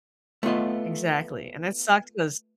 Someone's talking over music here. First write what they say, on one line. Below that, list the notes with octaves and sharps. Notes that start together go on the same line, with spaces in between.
Exactly, and it sucks 'cause
A3 B3 F4 D#5